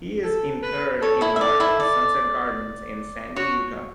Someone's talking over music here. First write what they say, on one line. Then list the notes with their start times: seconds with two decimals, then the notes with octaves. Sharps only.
He is interred in Larkin Sunset Gardens in Sandy, Utah.
0.24 A4
0.63 B4
1.02 A4 C#5
1.21 E4 E5
1.36 E5
1.41 A4 D5
1.60 E4 E5
1.80 D5
3.36 F#4 C#5